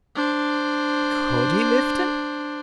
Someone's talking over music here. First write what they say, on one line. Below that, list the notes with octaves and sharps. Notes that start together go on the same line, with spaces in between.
Could he lift him?
D4 C5